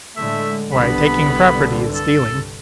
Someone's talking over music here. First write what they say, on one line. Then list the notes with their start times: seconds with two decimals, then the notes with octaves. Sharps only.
"Why, taking property is stealing."
0.17 A2 D3 G#3 A3 E5
0.72 C2 G2 D3 B3 B5
1.95 A4